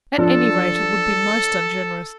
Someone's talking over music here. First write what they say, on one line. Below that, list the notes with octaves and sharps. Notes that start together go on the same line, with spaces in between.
At any rate it would be most ungenerous.
F3 D4 A4